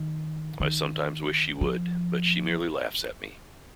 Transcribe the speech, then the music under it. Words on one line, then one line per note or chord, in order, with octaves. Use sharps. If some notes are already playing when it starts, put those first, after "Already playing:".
I sometimes wish she would; but she merely laughs at me.
Already playing: D#3
D#3
F3